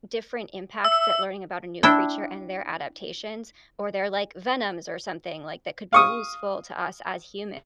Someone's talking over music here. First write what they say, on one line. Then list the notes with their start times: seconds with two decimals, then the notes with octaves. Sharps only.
different impacts that learning about a new creature and their adaptations or their, like, venoms or something, like, that could be useful to us as human,
0.85 E5 E6
1.83 D4 E4 G5
5.93 F5 C#6 D#6